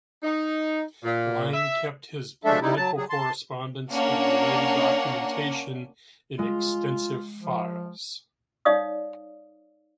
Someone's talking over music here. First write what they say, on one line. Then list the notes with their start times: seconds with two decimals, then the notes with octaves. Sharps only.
Lang kept his political correspondence and related documentation in extensive "files".
0.23 D#4
1.04 A#2
1.53 E5
2.45 F3 G#3 A3 D4 A4 E5
2.62 C3 G3 D#4 E4
2.77 F#3 A5
2.97 F#3 G3 G#4
3.10 A5 C6
3.91 A#3 C#4 D4 C#5 F#5
6.39 G#3 F4
7.40 F3
8.65 D#4 C#5 D5 F5 D#6